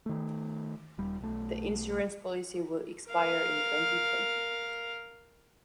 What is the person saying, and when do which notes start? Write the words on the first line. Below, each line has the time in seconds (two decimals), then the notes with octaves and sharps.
The insurance policy will expire in twenty-twenty.
0.06 D#3 A3
0.98 D#1 G3
1.20 B1 A3
3.10 A#4 F5